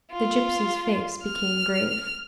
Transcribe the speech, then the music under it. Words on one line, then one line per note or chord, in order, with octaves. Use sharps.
The gipsy's face became grave....
F4
F6